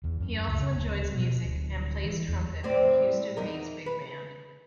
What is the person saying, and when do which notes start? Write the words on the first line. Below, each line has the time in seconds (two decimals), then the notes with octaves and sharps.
He also enjoys music, and plays trumpet with a Houston-based big band.
0.04 E2
0.20 F#2
0.48 C#2
0.60 C#3
0.76 D1
1.14 B2
1.45 D1
2.05 E3
2.28 E2
2.64 A2 C4 D5
3.37 E2 D#4 A#4
3.86 B4